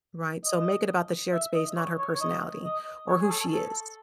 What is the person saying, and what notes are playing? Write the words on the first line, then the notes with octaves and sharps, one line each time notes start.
Right, so make it about the shared space, not her personality, or who she is.
D#5
E5
D#5
C#5
C#5
C#5
D#5
D#5
C#5
G#4
A4
A4